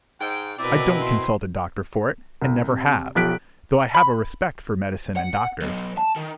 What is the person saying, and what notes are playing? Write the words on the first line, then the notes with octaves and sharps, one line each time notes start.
I don't consult a doctor for it, and never have, though I have a respect for medicine and doctors.
G#2 G5
B2 C4 E4 A#4 B4 D5
C6
C2
C3
B1 F3 G4 F#6 B6 D7
B5
F#5
F#3 B3
A5
D#3